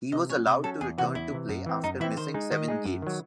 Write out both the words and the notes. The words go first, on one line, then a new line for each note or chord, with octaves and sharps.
He was allowed to return to play after missing seven games.
C3 D#5
F#3 C#4 C#5
C3 C5
F#3 C#4 A4
E2 G#4
C3 E3 F#4
E2 E4
C3 E3
F#2
E3 C4
F#2 D#4
E3 C4 E4
D#3 C5
G#3 D#4 G#4
D#3 D#5
G#3 D#4 G#4
F#2
D#3 F#3